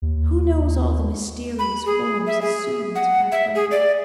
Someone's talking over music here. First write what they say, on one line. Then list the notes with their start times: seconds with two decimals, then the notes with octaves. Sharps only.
Who knows all the mysterious forms assumed by God?
0.02 D#2
1.59 B5
1.86 G#4
2.27 E5
2.42 G#4
2.95 F#5
3.32 E5
3.55 G#4
3.71 D5